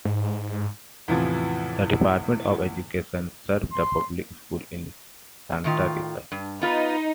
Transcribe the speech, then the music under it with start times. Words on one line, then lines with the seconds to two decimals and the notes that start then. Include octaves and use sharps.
The Department of Education serves the public schools in Santa Rita.
0.05 G#2
1.08 E2 A2 C3 E3 F3
3.72 C6
5.64 A2 D#3 F4
6.32 G2
6.62 B3 D#4 F4 B4